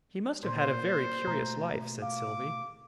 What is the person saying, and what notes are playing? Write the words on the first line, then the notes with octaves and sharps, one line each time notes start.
"He must have had a very curious life," said Sylvie.
A#2 C5
B2 A3 A#5
F5 D6